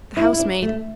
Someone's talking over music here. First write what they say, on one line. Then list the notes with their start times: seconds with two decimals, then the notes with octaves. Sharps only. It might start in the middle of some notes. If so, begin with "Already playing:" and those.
The housemaid.
0.17 E4
0.33 E4
0.40 D4
0.62 A3